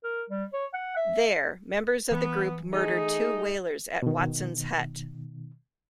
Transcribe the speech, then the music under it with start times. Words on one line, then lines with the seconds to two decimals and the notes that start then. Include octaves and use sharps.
There, members of the group murdered two whalers at Watsons hut.
0.03 A#4
0.30 G3
0.53 C#5
0.74 F#5
0.97 E5
2.11 E3 B3
2.72 A3 D#4 G#4
4.02 B2 D#3